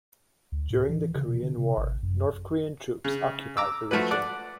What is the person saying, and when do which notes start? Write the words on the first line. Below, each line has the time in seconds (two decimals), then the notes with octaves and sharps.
During the Korean War, North Korean troops occupied the region.
0.52 D2
0.70 A2
0.89 E3
1.15 C#3
1.28 B2
1.43 D3
1.58 C3
1.77 G#1
2.03 F#2
3.05 C#3
3.57 A#5 D6 E6
3.91 F3 A3 F#4 B4
4.11 D5 F#5